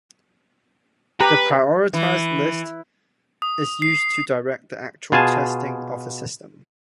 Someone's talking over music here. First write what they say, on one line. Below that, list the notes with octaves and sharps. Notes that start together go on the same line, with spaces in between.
The prioritized list is used to direct the actual testing of the system.
G4 B4 A#5
E3
D#6
C7
B2 F4 G#4 G#5 A5